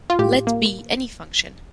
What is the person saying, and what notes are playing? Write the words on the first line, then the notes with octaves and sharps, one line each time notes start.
Let be any function.
F4
A2 G4
A#3